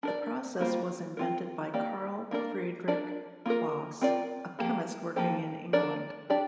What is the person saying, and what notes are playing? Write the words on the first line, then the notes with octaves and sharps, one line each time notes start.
The process was invented by Carl Friedrich Claus, a chemist working in England.
D4 A#4 D5
G3 A#3 F4 C5
C4 F4 A#4
A#3 G4 D5
A#3 D4 A#4 D5
D4 A#4 D5
A#3 F4 A#4
C4 F4 A#4 D5
F3 A#3 G4
F3 A#3 G4 C5
F3 D4 A#4 D5
D4 G4 D5